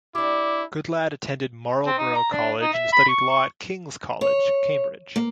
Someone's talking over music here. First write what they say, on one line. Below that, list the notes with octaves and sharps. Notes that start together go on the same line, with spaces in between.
Goodlad attended Marlborough College and studied law at King's College, Cambridge.
D4 E4 G4 D6
C4
D#4
A#5
D4
D#4
E5
B5
C#6
C#6
C#5
A#3